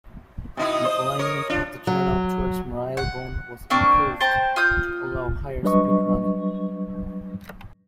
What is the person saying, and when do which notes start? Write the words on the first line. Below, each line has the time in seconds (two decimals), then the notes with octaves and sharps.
The alignment of the turnout towards Marylebone was improved to allow higher-speed running.
0.57 B2 D#4 E4 D#6
0.85 C5
1.19 A#4 C#5
1.50 D4 F4
1.87 F#3
2.97 F#5
3.70 A#3 C4 D4 C#6
4.20 C5 G5 A5 A#5
4.56 F4 D#6 G6
5.63 F#3 G3 D4 B4 D#5 C#6